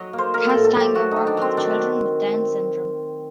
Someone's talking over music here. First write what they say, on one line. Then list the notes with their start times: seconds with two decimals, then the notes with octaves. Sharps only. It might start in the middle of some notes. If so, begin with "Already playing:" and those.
Castagna worked with children with Down Syndrome.
Already playing: F#3 D#5
0.13 A#3
0.18 C5
0.34 A#3 A#4
0.49 A4
0.55 A2
0.64 A4
0.75 F#3
0.80 G4
0.95 F#3 F#4
1.11 D#3 D#4
1.27 D4
1.37 F#3 C4
1.57 D#3 D4